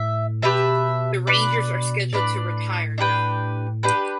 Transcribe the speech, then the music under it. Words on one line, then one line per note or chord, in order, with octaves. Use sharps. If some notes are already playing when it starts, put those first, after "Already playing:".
The Rangers are scheduled to retire no.
Already playing: A2 E5
B2 G4 B4 E5 A5
D4 B4 D5
A2 D4 B4 D5
D4 G4 B4 G5
D4 G4 B4 G5